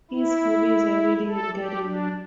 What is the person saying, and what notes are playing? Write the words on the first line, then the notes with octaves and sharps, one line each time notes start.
His hobbies are reading and gardening.
E4
A4
G4
D4